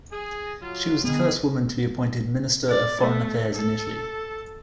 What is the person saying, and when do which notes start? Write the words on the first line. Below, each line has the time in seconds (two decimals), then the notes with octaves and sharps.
She was the first woman to be appointed Minister of Foreign Affairs in Italy.
0.12 G#4
0.61 F#3 F4
1.04 D3 D#3 B3 G#4
2.70 D5
3.01 A3
3.55 A4